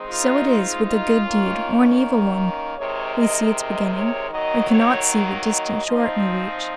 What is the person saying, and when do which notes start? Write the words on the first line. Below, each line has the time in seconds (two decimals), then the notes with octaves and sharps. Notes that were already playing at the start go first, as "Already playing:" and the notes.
So it is with a good deed or an evil one; we see its beginning; we cannot see what distant shore it may reach.
Already playing: D#3 G#3 C4 D#4
0.09 F4
0.47 F4
0.85 F4
1.23 D#3 A#3 C#4
2.77 C3 D#3 G#3 C#5
3.16 D#5
3.55 D#5
3.93 C#5
4.31 D#3 F#3 A#3 D#5
4.69 C#5
5.09 D#5
5.85 A#2 F3 C4 D#4